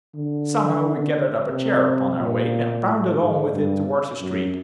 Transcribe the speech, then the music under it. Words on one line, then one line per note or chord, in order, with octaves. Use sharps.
Somehow we gathered up a chair upon our way, and bounded on with it towards the street.
D3
C3
A#2
A2
G#2
G2
F#2